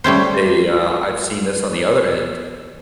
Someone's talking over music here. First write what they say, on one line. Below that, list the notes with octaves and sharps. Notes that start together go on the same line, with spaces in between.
they, uh, I've seen this on the other end,
G3 A3 C#4 C5